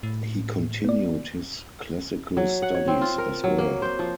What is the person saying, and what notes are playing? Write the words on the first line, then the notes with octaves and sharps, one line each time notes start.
He continued his classical studies as well.
A2
B3 D5
F#3
F#5
C#5
C4
F4
A#4
F#3
A#3
C5
F3